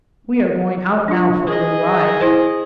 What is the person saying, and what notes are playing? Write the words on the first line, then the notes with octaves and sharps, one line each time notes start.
We are going out now for a little ride.
D4 F4
G#4 D#5
E4 C5 G#5